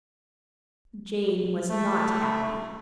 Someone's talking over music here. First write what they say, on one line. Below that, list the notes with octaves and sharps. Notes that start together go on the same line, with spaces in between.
Jane was not happy.
A3